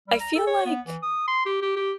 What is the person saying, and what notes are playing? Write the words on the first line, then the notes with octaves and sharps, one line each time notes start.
I feel like,
G3
A#5
A4
C#5
B3
E3
D#6
C6
G4
G4
G4